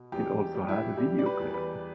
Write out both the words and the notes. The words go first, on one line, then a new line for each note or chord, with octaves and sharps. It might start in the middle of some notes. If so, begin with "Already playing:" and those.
It also had a video clip.
Already playing: B2
E2 G4
G3
G4
E4
G3 G4
D5
B4
E2
B4